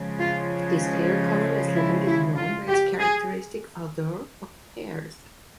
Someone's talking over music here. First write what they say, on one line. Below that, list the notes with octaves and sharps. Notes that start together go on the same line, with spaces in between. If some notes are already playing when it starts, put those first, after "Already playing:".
This clear, colorless liquid is known by its characteristic odor of pears.
Already playing: C#3 F3 G#3
F4
E4
E4
F4
G4
G#4